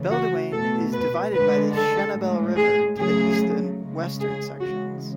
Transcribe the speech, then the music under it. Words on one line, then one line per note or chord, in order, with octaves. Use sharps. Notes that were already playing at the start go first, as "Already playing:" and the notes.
Beledweyne is divided by the Shebelle River into eastern and western sections.
Already playing: C#3 E3 A3
F#4
B2 A3 A4
B4
D3 G#3 B4
A4
A2 G#3
G#4
C#3 F#3 A3 G#4
C#3 G#3
G#4
C#3 E3 G#3 F#4